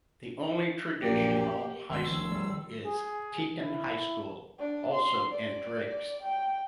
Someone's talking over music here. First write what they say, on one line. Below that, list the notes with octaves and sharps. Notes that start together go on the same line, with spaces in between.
The only traditional high school is Teton High School, also in Driggs.
A#1 F#2 A#2 A#3 G4
G1 D#3 G#3 C#4 C#5 C6 E6
D2 F3
G3
D#3
G#4
E4
D4
C6
D5
G5